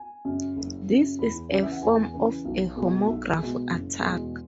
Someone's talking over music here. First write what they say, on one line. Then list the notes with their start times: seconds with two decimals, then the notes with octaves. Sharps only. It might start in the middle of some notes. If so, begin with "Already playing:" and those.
This is a form of a homograph attack.
Already playing: G#5
0.25 F#2 C#3
0.57 F#1
0.88 F#2 C#3
1.19 E2 B5
1.51 C#3 E3
1.62 E5
1.72 F#5
1.81 E2 G#5
2.14 C#3 E3
2.45 B1
2.76 B2 G#3
3.07 B1 E5
3.38 B2 G#3
3.70 F#1
4.01 E2 B2 G#3